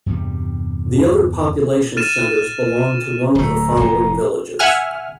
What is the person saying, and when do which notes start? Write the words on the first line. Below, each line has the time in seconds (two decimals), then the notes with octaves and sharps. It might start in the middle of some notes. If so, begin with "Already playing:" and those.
The other population centres belong to one of the following villages.
0.06 E2 G2 C3 G3
1.97 F6 A6 D#7 E7
3.35 D1 A3 A#5
3.77 F1
4.59 E5 F#5 G#5 F6